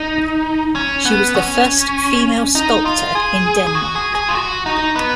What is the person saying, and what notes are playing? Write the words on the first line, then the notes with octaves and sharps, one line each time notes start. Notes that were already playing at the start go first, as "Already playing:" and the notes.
She was the first female sculptor in Denmark.
Already playing: D#4
C#4
B3
C#4
D#4
F4
G#4
G#4
F#4
G#4
G#4
F4
F#4
D#4
B3